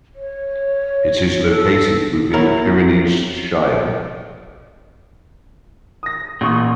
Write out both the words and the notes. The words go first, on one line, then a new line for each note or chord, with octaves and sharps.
It is located within the Pyrenees Shire.
C#5
A4
F#3 E4 A#4
D#6 A#6
A1 A#2 C#6 D#6